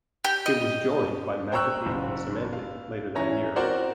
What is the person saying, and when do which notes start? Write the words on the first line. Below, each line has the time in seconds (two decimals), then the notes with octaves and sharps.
It was joined by McAfee and Symantec later that year.
0.25 G4
0.46 D#5
1.52 C5 G5 A#5 C#6 E6 F#6
1.86 F#1
2.53 F5
3.15 E3 C#4 A#5 A#6
3.56 C4 F#4 A#4 C5 D5 F#5